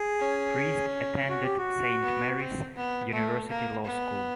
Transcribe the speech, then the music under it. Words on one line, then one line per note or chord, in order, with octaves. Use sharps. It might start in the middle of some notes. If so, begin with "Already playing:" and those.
Priest attended Saint Mary's University Law School.
Already playing: G#4
C#4
F#4
G4
F#4
B3
C4
B3
A3
A#3
B3